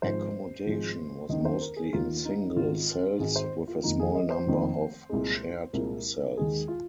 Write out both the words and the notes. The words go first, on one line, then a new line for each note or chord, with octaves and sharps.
Accommodation was mostly in single cells, with a small number of shared cells.
G#1 G#2 F3 G#3 C5
G#1 G#2 F3 G#3
D#2 D#3 A#3 D#5
C5
A#4
G#4
D#2 D#3 A#3 F4
D#4
G#1 G#2 D#3 F4
G#1 G#2 D#3 G#4
C5
F4
F1 F2 D#3 A#3 D#4
G#4
D#5
C5
F1 F2 D#3 A#3
C2 A#2 G#3
C2 A#2 G#3 A#4
D#2 D#3 G#3 G#4
F4